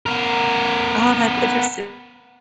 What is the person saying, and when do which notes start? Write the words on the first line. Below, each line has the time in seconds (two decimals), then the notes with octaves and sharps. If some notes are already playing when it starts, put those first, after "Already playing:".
Oh, that's interesting.
0.06 B3 A#4